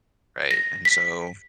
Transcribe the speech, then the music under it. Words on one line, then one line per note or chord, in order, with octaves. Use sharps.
Right, and so,
A#6
B6